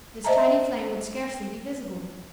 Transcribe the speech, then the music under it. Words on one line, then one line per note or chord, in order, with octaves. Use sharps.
This tiny flame would scarcely be visible.
C5 D#5 E5 A5 A#5